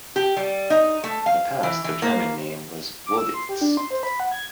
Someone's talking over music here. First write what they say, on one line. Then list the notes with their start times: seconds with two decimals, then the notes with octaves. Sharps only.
In the past the German name was "Woditz".
0.16 G4
0.37 G3
0.70 D#4
1.04 A3
1.26 F5
1.63 E3
1.84 E3
2.02 A#3
3.06 D6
3.18 E6
3.34 C6
3.49 G4
3.61 D4
3.77 C6
3.91 C5
4.03 B5
4.20 F#5
4.32 G#6